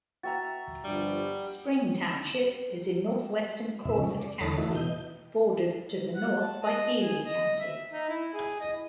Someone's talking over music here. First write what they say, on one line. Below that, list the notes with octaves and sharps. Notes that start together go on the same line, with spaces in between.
Spring Township is in northwestern Crawford County, bordered to the north by Erie County.
F#4 E5 G5 A#5 A6
G1 G2 F3 G3
F2 A#2 C#3 E5
C#3 F3 G3 C#4
D5
E2 D3 A4 C#5 D#6 A6
E3 A3 D#4 E4 F#4
B2 E3 D#5 G6
F#5
A5
D#5
G#4
D#5
E5
D#4
E4
G#4
D#5
E4